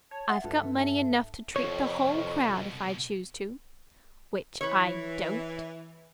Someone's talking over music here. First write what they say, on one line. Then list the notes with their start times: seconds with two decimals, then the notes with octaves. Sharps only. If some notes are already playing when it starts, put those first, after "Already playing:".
"I've got money enough to treat the whole crowd, if I choose to, which I don't."
0.11 C#5 A5
0.29 E5 F#5 A6
0.44 G2 F4 A4 B4
0.77 A4 E5
1.56 C2 F2 B2 C#5
4.61 E3 B4 C#5